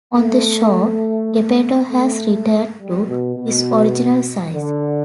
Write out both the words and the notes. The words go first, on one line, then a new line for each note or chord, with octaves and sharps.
On the shore, Geppetto has returned to his original size.
A3
A3
G3
B2
B2
D3